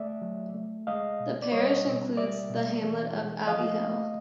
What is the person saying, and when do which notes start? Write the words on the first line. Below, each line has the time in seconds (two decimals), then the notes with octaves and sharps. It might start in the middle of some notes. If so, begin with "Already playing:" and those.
The parish includes the hamlet of Abbey Hill.
Already playing: A3 D5 E5
0.22 F#3
0.54 A3
0.87 G#3 D#5 F5
1.20 B2
1.42 D5
1.52 G3 C#5 D#5
1.85 B2
2.17 G3 D5 E5
2.50 B2
2.82 E3
3.15 G#3
3.47 F3 D#5 F5
3.80 A3